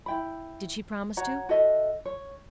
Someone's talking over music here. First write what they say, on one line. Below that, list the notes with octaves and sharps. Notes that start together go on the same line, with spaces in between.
"Did she promise to?"
E4 G5 B5
F#4 C#5 F#5 A#5
F#4 A4 D#5 E5
C#5